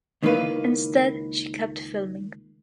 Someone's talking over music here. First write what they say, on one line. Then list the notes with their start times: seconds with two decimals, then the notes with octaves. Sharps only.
Instead, she kept filming.
0.23 C#2 D#3 A#3 E4 B4 F5